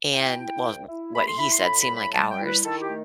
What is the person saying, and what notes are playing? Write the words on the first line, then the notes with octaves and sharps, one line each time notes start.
and, well, w what he said seemed like hours
E4 G5
E4
C2
E4
A3 B5
C6
E4 B5
C6
A2 B5
B5
G3
B5
G3 A5
G5
E4
B4
D#3 A4
G4
A3